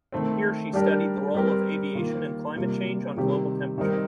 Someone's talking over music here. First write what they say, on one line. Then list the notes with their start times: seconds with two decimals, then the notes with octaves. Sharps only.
Here she studied the role of aviation in climate change on global temperature.
0.12 D#3 A3 C4
0.73 G3 D4 G4 A#4
1.34 G3 C4 G4 A#4
1.95 D#3 A#3 F4
2.56 C3 G3 A#3 F4
3.17 C3 D#3 G3 C4 G4
3.78 D#3 G3 C4 D#4 A#4